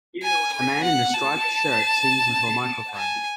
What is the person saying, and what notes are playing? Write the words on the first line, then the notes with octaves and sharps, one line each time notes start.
A man in a striped shirt sings into a microphone.
G#5
G#5
F#5
A5
G#5